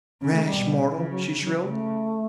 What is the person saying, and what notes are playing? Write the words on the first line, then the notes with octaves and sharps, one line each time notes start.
"Rash mortal!" she shrilled.
C#3 C#4
A3
G3
B2
C#3 E3
F#3
F#3
C#3 A3